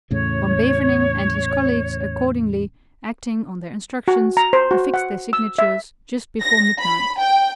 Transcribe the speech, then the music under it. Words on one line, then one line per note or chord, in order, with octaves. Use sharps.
Van Beverningh and his colleagues accordingly, acting on their instructions, affixed their signatures just before midnight.
E2 A2 C#3 C#5
F#4
A#5
C5
F#4
F#5
E6
E5
A#6
B5
G5